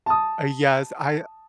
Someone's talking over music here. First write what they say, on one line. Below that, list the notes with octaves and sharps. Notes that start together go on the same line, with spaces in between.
Uh, yes, I
A5 D#6